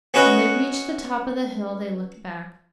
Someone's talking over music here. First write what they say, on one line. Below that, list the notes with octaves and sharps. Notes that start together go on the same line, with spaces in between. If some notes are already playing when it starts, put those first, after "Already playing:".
When they reached the top of the hill they looked back.
B3 C#4 F#4 B4 D#5 F#5